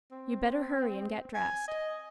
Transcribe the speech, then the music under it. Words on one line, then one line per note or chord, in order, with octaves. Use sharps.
'You'd better hurry and get dressed.
C4
G#5
D#5